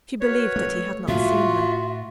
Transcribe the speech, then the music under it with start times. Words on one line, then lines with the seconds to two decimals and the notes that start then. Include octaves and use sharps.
She believed that he had not seen her.
0.21 F#4 A#4 B4 C#5
0.56 A3
1.08 A2 F4 F#4 E5